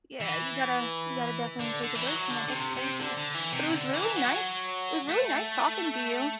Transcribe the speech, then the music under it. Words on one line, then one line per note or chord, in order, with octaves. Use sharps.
Yeah, you gotta you gotta definitely take a break from that, that's crazy. But it was really nice it was really nice talking to you.
E3
D3
D3
E3
F#3
D3
D3
C3
C3
D3
D3
E3
C3
D3
E3
F#3
A3